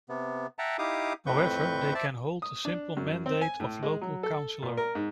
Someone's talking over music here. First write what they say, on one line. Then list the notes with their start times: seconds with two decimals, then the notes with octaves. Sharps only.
However, they can hold a simple mandate of local councillor.
0.09 C3 B3
0.59 E5 F#5 G5 A5 A#5
0.78 D#4 E4 G4 F5 D6 D#6
1.26 F2 A2 C4 B4 C#6 G6
1.95 C5 D5 E5 A5
2.42 D#6
2.65 D4
2.97 F#2
3.26 C4
3.41 G#5
3.60 A2
3.83 G#3
4.01 F#3
4.23 A4
4.63 A#2
4.77 A#4
4.95 G#2